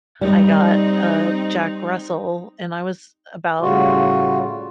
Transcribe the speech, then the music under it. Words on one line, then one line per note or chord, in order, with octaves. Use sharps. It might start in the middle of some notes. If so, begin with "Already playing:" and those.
I got a Jack Russell and I was about,
G3 C4 D#4
A2 C#3 G3 F4 F#4